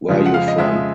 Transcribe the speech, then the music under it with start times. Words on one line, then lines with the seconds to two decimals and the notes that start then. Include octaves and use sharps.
Where you from?
0.09 F2 C#3 F3 G#3
0.26 F#5
0.34 F5
0.48 D#5
0.58 F2 C#3 F3 G#3 E5